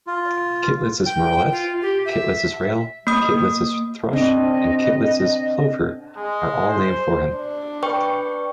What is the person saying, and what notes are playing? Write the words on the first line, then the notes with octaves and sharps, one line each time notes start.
Kittlitz's murrelet, Kittlitz's rail, Kittlitz's thrush and Kittlitz's plover are all named for him.
F4
G5
F4
G4
E5
A#3 D#6
C4 D4 D#5
G#3
C5
D4
B4 G5 C#6